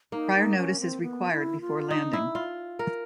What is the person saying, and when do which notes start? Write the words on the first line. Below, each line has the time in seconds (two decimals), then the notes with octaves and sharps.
Prior notice is required before landing.
0.12 A#3 D#4
0.36 D#4
0.57 C#4
0.80 C4
1.02 B3
1.31 E4
1.61 F4
1.90 D#4
2.13 E4
2.35 F4
2.79 A#4